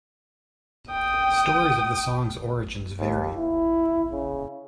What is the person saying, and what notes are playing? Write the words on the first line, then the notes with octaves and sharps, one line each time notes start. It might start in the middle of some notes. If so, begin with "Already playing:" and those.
Stories of the song's origins vary.
G5 D#6
D#2
E4
C#3